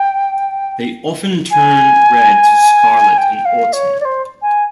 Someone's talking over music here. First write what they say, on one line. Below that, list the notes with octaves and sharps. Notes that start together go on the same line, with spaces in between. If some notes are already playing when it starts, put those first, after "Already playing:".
They often turn red to scarlet in autumn.
Already playing: G5
G#5
G5
F5
C#5
D5
C5
G#5